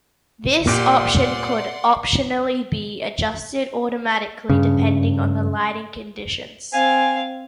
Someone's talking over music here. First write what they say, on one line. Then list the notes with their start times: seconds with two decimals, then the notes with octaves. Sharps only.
This option could optionally be adjusted automatically depending on the lighting conditions.
0.67 A#2 G4 D5 F#5 C6 D7
4.50 G2 C#3
6.73 C4 F5 G#5